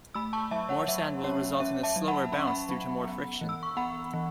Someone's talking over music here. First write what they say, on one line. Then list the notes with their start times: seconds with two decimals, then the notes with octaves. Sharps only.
More sand will result in a slower bounce due to more friction.
0.14 A3 B5 E6
0.33 A5 C#6
0.51 F#3 E5 A5
0.69 C#5 F#5
0.79 F#5
0.88 F#3 E5
1.24 C#4 C#5
1.60 C#4 E5
1.83 E5 A5
1.96 F#3
2.08 F#5 B5
2.32 C#4 B5
2.39 C#6
2.47 F#5 B5
2.69 F#3
3.04 B3
3.41 E3
3.49 E6
3.63 C#6
3.77 B3 F#5 B5
4.13 E3